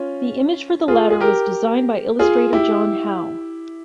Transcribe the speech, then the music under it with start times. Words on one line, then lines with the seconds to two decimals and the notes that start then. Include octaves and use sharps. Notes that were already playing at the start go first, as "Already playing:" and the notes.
The image for the latter was designed by illustrator John Howe.
Already playing: C#4 F4
0.88 F4 G#4
1.10 G#4
1.20 G4 A#4
2.19 F4 G#4
2.53 E4 G4